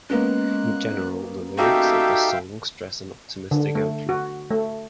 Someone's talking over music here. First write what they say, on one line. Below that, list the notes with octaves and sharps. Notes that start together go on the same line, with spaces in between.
In general the lyrics of the song stress an optimistic outlook.
G#3 A#3 B3 C#4 F#6
D#4 F#4 G4 A4 E5 F5 G5
D3
A3
F#4
A3